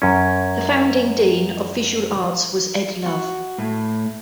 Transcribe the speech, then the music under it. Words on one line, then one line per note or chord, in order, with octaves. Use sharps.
The founding Dean of Visual Arts was Ed Love.
F#2 C#4
F#4
A2